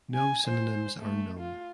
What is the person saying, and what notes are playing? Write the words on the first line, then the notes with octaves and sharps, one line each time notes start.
No synonyms are known.
G#5
C5
A3
F4